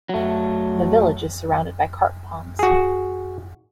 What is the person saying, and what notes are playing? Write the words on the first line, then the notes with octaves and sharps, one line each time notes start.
The village is surrounded by carp ponds.
F#3 A3
F#4 G#4